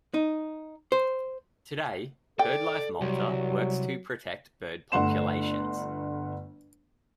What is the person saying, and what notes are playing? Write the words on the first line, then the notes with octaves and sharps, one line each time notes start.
Today Birdlife Malta works to protect bird populations.
D#4
C5
A4 D5 G5
C2 F#3 G3
G1 A3 F#5 C6 E7